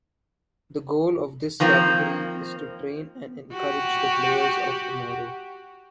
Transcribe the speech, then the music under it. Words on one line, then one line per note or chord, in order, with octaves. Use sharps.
The goal of this category is to train and encourage the players of tomorrow.
D#3 F3 A#3 C4
F#4 G4